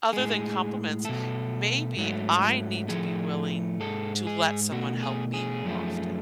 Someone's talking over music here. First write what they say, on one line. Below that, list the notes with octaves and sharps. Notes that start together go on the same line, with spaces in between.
other than compliments, maybe I need to be willing to let someone help me more often.
A2 G#3 G#4
B2 A3 A4
G#2 F#3 A3
A2 F3 A3 G#4
G#2 G#3 A4
G#4
B2 A3 F#4
G#4
G#4
F#2 F3 A3